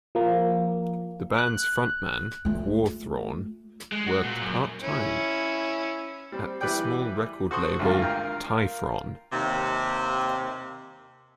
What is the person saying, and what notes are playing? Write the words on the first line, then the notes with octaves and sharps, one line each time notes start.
The band's frontman, Quorthon, worked part-time at the small record label Tyfon.
F3 A#3
F#6
A3 F4
G#3
F#4
A#2
F#2
C#4 E4
G3 C4
E3 G3 B4 D5 G5
F#4 A4 C5 C6 C#6 D#6
G#1 D2 G2 F4
F4 A#4 G5 A#5
D#2 C3